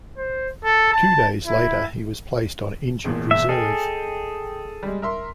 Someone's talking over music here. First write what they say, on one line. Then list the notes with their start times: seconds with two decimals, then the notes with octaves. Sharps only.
Two days later, he was placed on injured reserve.
0.17 C5
0.64 A4
0.93 A5
1.46 E4
3.04 E1 E2 A#2
3.31 E5
3.49 G#4 A4 D#5 G5 G#5
4.83 G3 G#3
5.02 A#4 E5 C6